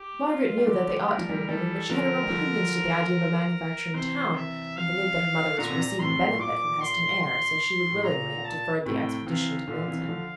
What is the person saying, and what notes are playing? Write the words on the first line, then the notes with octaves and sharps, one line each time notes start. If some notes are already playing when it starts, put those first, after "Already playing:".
Margaret knew that they ought to be removing; but she had a repugnance to the idea of a manufacturing town, and believed that her mother was receiving benefit from Heston air, so she would willingly have deferred the expedition to Milton.
Already playing: G4
F4
G3
D3 F3 G4
G3 A#4
F3
E3 G3
E3 G3 A4
D3 F3 A#4
G3
D3 F3
C3 E3 C5
E5
F5
A#2 D3 A#5
C3
A#2
A2 C3 C6
C3
A#2
A2
A#2 D6
C6
C6
A2
A#2 A#5
A5
A2 C3 G5
C3 E3 F5
A#2 D3
C3 E3
D3 F3